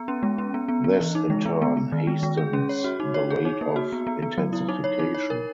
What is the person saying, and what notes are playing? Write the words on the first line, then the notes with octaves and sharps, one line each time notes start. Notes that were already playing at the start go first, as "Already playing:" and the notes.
This in turn hastens the rate of intensification.
Already playing: B3
C#4
G#3
C#4
B3
B3
B3
E3
D#4
G#3
B3
B3
B3
D#3
G#3
G#3
G#4
C#4
C#5
F#4
D#4
C#5
G#4
D#4
A#3
F#4
B3
B3
B3
F#3
E4
D#4
C#5
D#4
C#5
A#4